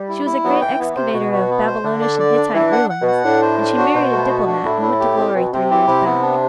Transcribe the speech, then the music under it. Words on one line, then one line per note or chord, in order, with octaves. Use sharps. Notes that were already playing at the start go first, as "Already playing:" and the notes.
She was a great excavator of Babylonish and Hittite ruins, and she married a diplomat who went to glory three years back.
Already playing: G3
E4
E4
F#3 B3
E3 G5
E3 B3
C3 C5
B2 F#4
F#4
B3
C5
D3 D4
D5
D5
D4
E3 D4
F#5
F#5
B2
F#5
A2 D4
C5
D4
F#4
B2 C5
A3
F#4
D4
A2 E4
E4
G4
C4
B2 C4
C3 C4
E3 G4
C3 E4
B3
D4